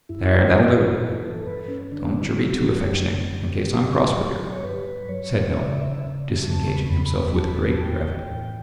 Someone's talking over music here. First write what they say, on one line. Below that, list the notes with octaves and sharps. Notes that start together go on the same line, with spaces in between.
'There, that'll do: don't yer be too affectionate, in case I'm cross with yer,' said Noah, disengaging himself with great gravity.
G2 E4
E3
G2 B4
B4
A4
G2 B4
C#4
D3 D4
E4
F#3
F#4
F#2 G4
D3
G2
F#3
C#5
G2 B4
F#3 C#5
C#3 E5
D5
E5
C#3
E2 A5
C#6
B5
E2
B5
E3 A5
B5
A5
E3 G5
A2